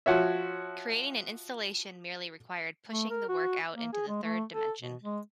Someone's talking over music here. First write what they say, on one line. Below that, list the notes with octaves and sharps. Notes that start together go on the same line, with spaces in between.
Creating an installation merely required pushing the work out into the third dimension.
F3 F#4 C#5 E5
A3
A#4
F#4
A#3
G#4
G#3
A3
A4
B2
G#3